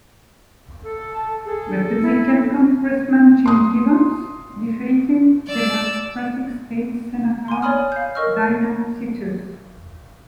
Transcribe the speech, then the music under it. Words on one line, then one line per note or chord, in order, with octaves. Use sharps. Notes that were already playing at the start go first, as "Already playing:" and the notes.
Republican Congressman Jim Gibbons defeated Democratic State Senator Dina Titus.
A4
A5
G#4 A4
E4
C6 D#6
D5 E6
G#5 C6
C#5 D5 G#5 B5 D#6 F6
F5 G6
A#4 D#5 C#6 E6 F6